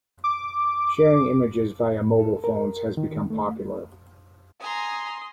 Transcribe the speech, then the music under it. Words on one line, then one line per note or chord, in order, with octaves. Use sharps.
Sharing images via mobile phones has become popular.
D6
A2
A4
A#4
D#3
A3
G#5 A#5 C6 D#6